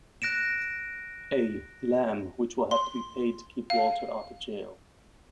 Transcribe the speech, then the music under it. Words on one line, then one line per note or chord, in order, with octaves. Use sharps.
A. Lamb, which will have to be paid to keep Walter out of jail.
F#6 A#6 D7 E7
C6
F5